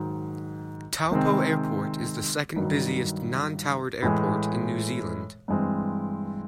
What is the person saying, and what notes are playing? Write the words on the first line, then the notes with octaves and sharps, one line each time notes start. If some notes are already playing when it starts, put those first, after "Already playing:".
Taupo Airport is the second-busiest non-towered airport in New Zealand.
Already playing: G#2 D#3 F#3
C3 D#3 G#3 C4
G2 D#3 F#3
A2 E3 G#3
G2 E3 G#3 C4